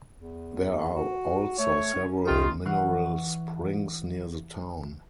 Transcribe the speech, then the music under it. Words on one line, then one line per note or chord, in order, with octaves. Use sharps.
There are also several mineral springs near the town.
E2
F#4
A3 C#5
C#4
C2 D#3 F4 G4 A#4
E3 F#5 C#6 F6 C7